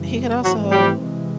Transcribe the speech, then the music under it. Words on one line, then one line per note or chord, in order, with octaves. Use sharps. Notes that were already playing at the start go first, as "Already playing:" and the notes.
he could also
Already playing: F#2 C#3 E3 G3
G#2 E3 F#3 A3 C4 F#4
G3 G4
C3 E3 G#3